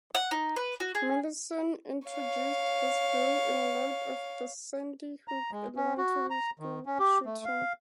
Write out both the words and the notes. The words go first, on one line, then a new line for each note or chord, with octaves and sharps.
Matheson introduced this bill in light of the Sandy Hook Elementary School shooting.
F#5
D#4
B4
F#4
G#4
C#5 F5
A#5
G#3
C#4
F#4
A#5
D#3
C#4
G4
A3
F5